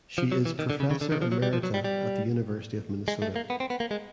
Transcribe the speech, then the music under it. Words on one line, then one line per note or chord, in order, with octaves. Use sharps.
She is Professor Emerita at the University of Minnesota.
F3
F#3
E3
D#3
D3
C#3
C#3
D3
D#3
F3
F#3
G3
F3
F#3
G3
G3
G#3
A3
A#3
B3
C4
B3
A#3
G#3